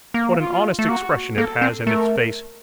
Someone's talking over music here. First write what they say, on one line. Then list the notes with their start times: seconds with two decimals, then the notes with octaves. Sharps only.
What an honest expression it has in its face!
0.14 A#3
0.40 F4
0.79 A3
0.89 A#3 F#4
1.37 A#3 A4
1.62 C4
1.87 A3 A#4